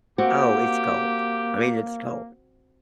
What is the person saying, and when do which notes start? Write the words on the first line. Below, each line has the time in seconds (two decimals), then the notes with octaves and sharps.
Oh, it's cold. I mean, it's cold.
0.18 A#3 C4 F#4 G4